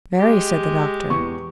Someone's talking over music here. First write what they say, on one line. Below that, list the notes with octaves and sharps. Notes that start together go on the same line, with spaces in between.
"Very," said the doctor.
G#3 G4
E2 C#6